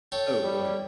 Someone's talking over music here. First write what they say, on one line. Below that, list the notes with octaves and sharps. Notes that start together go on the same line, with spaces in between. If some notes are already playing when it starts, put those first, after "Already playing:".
Oh, go ahead.
A4 C#5 G5
G3